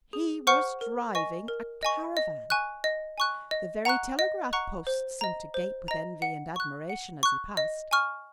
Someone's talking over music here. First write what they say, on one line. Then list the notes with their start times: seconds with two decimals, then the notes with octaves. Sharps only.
He was driving a caravan. The very telegraph posts seemed to gape with envy and admiration as he passed.
0.13 G#4
0.47 C5 F#5 C#6 F6
0.81 A#4
1.15 D#5 G#5 C#6
1.48 A#4
1.83 D#5 G#5 C#6
2.17 D#5
2.50 G#5 C#6 F#6
2.84 D#5
3.18 G#5 C#6 F#6
3.51 D#5
3.85 F#5 A#5 C#6 F#6
4.19 D#5
4.53 F#5 A#5 C#6 F#6
4.87 C5
5.21 D#5 A#5
5.54 C5
5.88 D#5 A#5
6.22 F#5
6.56 C#6 F#6
6.90 F#5
7.23 C#6 F#6
7.57 D#5
7.91 G#5 C#6 F6